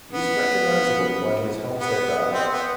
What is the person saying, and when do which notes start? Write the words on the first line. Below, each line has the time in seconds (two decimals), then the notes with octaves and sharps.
He is recognizable by his Halmstad dialect.
0.12 B3
1.78 B3
2.33 C4
2.52 B3